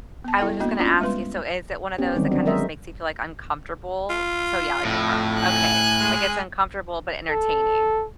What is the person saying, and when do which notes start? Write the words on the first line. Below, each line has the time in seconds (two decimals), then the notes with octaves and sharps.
I was just gonna ask you, so is it one of those that kinda just makes you feel, like, uncomfortable? So, yeah, like a car okay, like, it's uncomfortable but entertaining.
0.24 B3 A5
0.39 G3 E4 A4 D5 G5
0.60 A#3 B3 D4 F#4 D#5
0.79 C#4 D4 F4 D5
1.00 G3 G#3 B3 B4 C6
1.98 B3 C#4 G4
2.16 D3 D#3 F#3 G3 C4 D#4
2.31 F#3 C4 D4 F#4
2.45 F#3 G#3 A#4 C5 D#5 E5
4.09 F4
4.85 F2 A2
5.41 G#5 F#6
6.00 G#3
7.30 A4